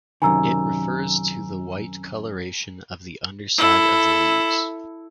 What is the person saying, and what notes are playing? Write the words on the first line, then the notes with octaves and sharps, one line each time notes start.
It refers to the white colouration of the underside of the leaves.
F#2 C3 D#3 G#5 A#5 E6
E4 A4